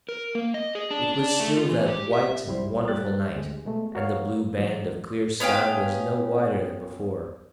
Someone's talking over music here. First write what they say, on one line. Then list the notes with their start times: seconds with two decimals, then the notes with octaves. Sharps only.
It was still that white and wonderful night, and the blue band of clear sky was no wider than before.
0.09 A#4
0.35 A#3
0.54 D#5
0.75 G#4
0.91 D4
1.14 D4
1.40 A3
1.57 F4
1.69 E3
1.86 G4
2.13 E5
2.47 C2 G3 E4 C5
2.88 G3 G4 F#6 A6
3.36 D2 G#3 G4
3.65 B2 G#3 A3
3.95 F#4 A#4 C#5 F5
4.58 E3 F#3
5.40 B3 C#4 F5 G5